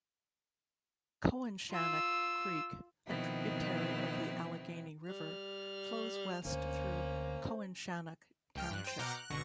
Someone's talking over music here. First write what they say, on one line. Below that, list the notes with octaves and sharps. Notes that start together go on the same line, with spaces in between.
Cowanshannock Creek, a tributary of the Allegheny River, flows west through Cowanshannock Township.
F4 E6
B2 D#3 F3 B3 C4 E4
G3 F6
D2 A#3 C#4 C5
C#2 G5 F6
G2 F#6
C5 G5
B2 F#5 A#5 D6 F6 G6
F#6
G#1 B2 D3 C#6 A#6